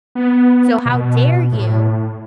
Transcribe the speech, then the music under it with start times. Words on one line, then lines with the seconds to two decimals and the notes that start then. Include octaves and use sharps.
So how dare you?"
0.15 B3
0.86 B2
1.53 A2